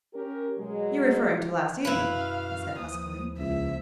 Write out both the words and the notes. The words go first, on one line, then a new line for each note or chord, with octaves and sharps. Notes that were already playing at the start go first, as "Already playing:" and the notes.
"You're referring to last evening," he said huskily.
C#4 G4 A#4
B2 F#3 G#3
F#2 B2 E4 F#4 B4 F5
D#2 F3 D#6
C#2 E5